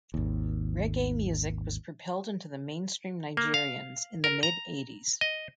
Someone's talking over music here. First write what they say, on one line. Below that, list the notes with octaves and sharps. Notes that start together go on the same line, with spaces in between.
Reggae music was propelled into the mainstream Nigerians in the mid eighties.
G#1 D#2
A#3
F5
A#4
A#5
D#5